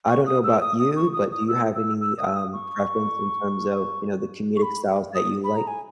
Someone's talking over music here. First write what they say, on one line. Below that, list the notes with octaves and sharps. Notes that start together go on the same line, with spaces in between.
I don't know about you, but do you have any, um, preference in terms of, you know, the comedic styles that you like?
C#6
D#6
E6
D#6
D#6
C#6
D#6
D#6
E6
E6
E6
D#6
E6
D#6
C#6
C#6
B5
D#6
B5
A#5
G#5